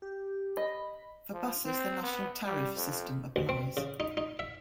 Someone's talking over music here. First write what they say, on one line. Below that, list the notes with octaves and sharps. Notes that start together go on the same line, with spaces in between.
For buses the National tariff system applies.
G4
D#5 B5
F3
C4
B3
G3
F2
D2
C4
C#3
D#4
D#4
E5